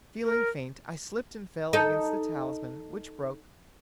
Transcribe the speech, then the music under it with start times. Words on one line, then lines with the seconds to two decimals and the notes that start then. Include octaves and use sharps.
Feeling faint, I slipped and fell against the talisman, which broke.
0.24 A#4
1.73 D#4 A4